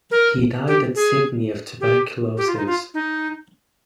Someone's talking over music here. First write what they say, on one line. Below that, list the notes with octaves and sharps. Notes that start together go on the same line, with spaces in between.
He died at Sydney of tuberculosis.
A#4
G4
G#4
G4
G4
F4
D#4
F4
D#4